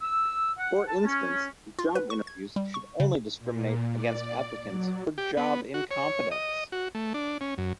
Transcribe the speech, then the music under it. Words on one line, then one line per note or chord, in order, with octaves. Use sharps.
For instance, job interviews should only discriminate against applicants for job incompetence.
E6
F#5
A5
C#4
F4
B4
C#6
G#6
G3
C#6
C#3
A#2
D5
F#3
G4
B3
F#4
C#5
D#5
F#4
A3
D4
C#4
F#2